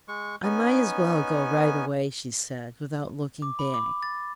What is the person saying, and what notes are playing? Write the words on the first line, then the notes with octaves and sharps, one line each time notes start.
"I might as well go right away," she said, without looking back.
G#3 C#6
B3 C#4 D#4 G#5
D6
B5
D6
A6